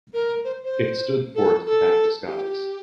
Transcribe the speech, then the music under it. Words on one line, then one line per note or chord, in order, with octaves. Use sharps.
It stood forth without disguise.
A#4
C5
C5
A4
A4
G4